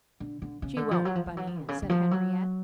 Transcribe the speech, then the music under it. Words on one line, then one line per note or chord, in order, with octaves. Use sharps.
"She won't, Bunny," said Henriette.
D3
D3
C#3
D3
F3
F#3
F3
F3
F#3
F3
B2
C#3
D3
F3
F#3